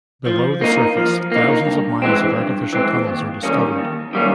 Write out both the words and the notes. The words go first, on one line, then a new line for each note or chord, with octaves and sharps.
Below the surface, thousands of miles of artificial tunnels are discovered.
F3
A#3 D#4
F3
A#3 D#4
G2
E3 G#3 C4
G2
E3 G#3 C4
D#2
D#3 G3 A#3 C#4
D#2
D#3 G3 A#3 C#4